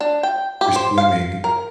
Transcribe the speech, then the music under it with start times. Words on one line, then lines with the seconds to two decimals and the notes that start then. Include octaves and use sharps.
You're swimming.
0.01 D4
0.23 G5
0.61 G4
0.76 C5
0.98 F5
1.44 A#4